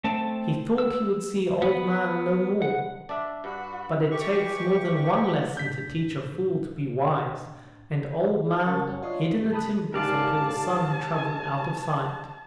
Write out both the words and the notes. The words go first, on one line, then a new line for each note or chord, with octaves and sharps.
He thought he would see OLD-man no more, but it takes more than one lesson to teach a fool to be wise, and OLD-man hid in the timber until the Sun had travelled out of sight.
A3 C4 A5
E6
B3 B5
F#5
D4 D5 E5
G2 F#4 B5
E3 G4 C#6
A2 D4 G6 B6
C#3 A#4 A5 C#6 A6
F#2 C#4 F#4
D4 F4 C#5 D#5 D#6 C7
G2 C3
A5 B5 D#6 F#6
G#2 D3 D#3 G4 A#4 D5 F5 A5